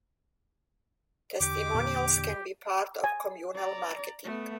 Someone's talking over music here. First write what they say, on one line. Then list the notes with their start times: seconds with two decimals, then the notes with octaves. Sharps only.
Testimonials can be part of communal marketing.
1.40 E2 D3 G4 D6
1.75 A#2
3.04 G#5
3.55 D5 A#5
4.24 A3 B3